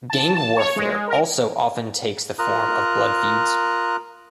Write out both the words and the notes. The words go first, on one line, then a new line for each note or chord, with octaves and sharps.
Gang warfare also often takes the form of blood feuds.
A5
A5
C#5
G#3
A#4
F4 A#4 A#5 D#6 F#6